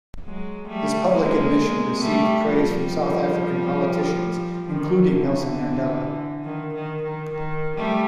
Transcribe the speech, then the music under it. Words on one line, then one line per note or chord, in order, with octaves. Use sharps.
This public admission received praise from South African politicians, including Nelson Mandela.
F#3 G#3
G3 A3
G#3 A#3
G3 A3
F3 G3
D#3 F3
D3 E3
D#3
D#3
D#3
D#3
G3 A3